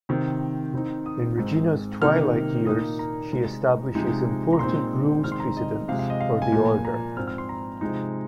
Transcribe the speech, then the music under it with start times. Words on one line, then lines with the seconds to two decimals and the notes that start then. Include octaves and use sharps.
In Regina's twilight years, she establishes important rules precedents for the Order.
0.09 C3 D#3 C4
0.74 D#3 C4 D#4
1.06 D#6
1.37 G#2 G#3 C4 D#4
2.02 C3 D#3 A#3 D#4 F6
2.66 A#2 A#3 D#4 D#6
2.99 A#5
3.31 C3 G#3 D#4
3.95 C3 F3 G#3 D#4
4.53 A#5
4.59 A#2 G#3 C4 D#4 C6
5.24 C3 D#3 G#3 C4 D#4 F6
5.32 C6
5.40 A#5
5.57 D#5
5.88 C3 F3 G#3 F5
5.99 F5
6.10 D#5
6.21 F5
6.42 G#5
6.52 A#2 F3 A#3
6.85 A#5
7.17 G#2 F3 C4 F6
7.27 F6
7.38 C6
7.49 A#5
7.81 C3 F3 G#3 D#4